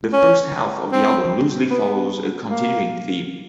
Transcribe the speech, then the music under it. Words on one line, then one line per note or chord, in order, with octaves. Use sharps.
The first half of the album loosely follows a continuing theme.
C#4
C4
B3
A#3